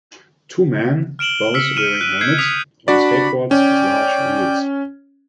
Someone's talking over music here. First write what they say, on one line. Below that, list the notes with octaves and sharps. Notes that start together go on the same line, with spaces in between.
Two men, both wearing helmets, on skateboards with large wheels.
F6 D7 E7 F#7 G7
E6 F6 B6 C#7
F6 C#7 D#7 E7
F#6 D#7
G6 G#6 B6 C7
D#6 B6 F7
D4 F#4 D5 B5
C#4 D5 G5